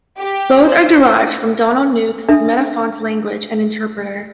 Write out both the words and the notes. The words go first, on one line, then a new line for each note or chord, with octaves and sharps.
Both are derived from Donald Knuth's Metafont language and interpreter.
G4
C5
D4 A4 E5